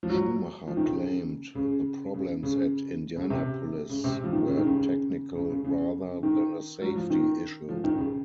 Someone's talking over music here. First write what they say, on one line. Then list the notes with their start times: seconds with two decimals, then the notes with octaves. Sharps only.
Schumacher claimed the problems at Indianapolis were technical rather than a safety issue.
0.03 F3
0.10 F#3
0.68 F3
0.77 D#3
0.87 C#3
1.55 C#3
2.14 C#3
2.43 C#3
3.16 C#3
3.30 C3
3.89 C#3
4.04 C3
4.24 F3
4.32 D#3
4.47 C#3
4.57 D#3
4.67 C#3
4.77 C#3
5.35 C#3
5.50 C#3
5.64 C#3
6.23 D#3
6.82 F#3
6.95 F3
7.10 D#3
7.69 F3
7.84 D#3
7.98 C#3